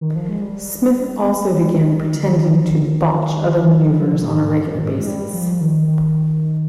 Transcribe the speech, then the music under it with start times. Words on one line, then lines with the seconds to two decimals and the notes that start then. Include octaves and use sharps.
Smith also began pretending to botch other maneuvers on a regular basis.
0.01 D#3
0.16 F3
0.29 G#3
0.41 G3
1.61 G#3
1.75 G#3
1.87 G3
2.01 D#3
2.14 D3
2.28 D#3
2.40 F3
2.55 F3
2.67 D#3
2.80 D3
2.91 D#3
3.66 G3
3.74 F3
3.87 G3
4.01 F3
4.13 C3
4.27 G#2
4.53 G2
4.75 B2
4.80 G#2
4.98 G#3
5.07 G3
5.33 F3
5.51 F3
5.60 D#3
5.87 D#3